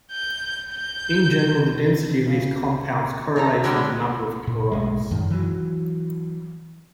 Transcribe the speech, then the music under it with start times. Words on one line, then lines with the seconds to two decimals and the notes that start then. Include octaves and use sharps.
In general the density of these compounds correlates with the number of chlorides.
0.11 G6
0.72 G6
2.27 C#3
3.36 C#3 D#4 A4 A#5
3.64 B2 D3 F#3 G#3 D4 G4
4.47 A#2
4.72 B1 A2 G#3
5.11 F#2 D#3
5.30 E3 F#3